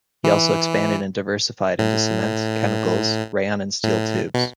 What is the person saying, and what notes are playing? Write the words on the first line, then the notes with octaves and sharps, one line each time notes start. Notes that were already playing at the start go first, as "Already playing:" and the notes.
He also expanded and diversified into cement, chemicals, rayon and steel tubes.
E3
A2
A2
B2